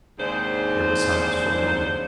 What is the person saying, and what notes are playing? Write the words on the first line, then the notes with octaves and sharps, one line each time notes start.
There was silence for a moment.
D#2 G#2 C#3 C4 D4 C5